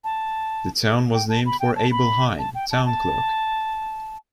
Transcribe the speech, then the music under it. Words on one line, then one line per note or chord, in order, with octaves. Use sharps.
The town was named for Abel Hine, town clerk.
A5
G5
A5
B5
G5
A5
B5
A5
G5
A5
A5